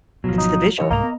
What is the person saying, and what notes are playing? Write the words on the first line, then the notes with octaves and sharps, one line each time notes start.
It's the visual.
G#1 B2 F3 F#3
D#4
D#2 E3 C#5
C2 G#2 A3 A#3 D#5 A#5
B3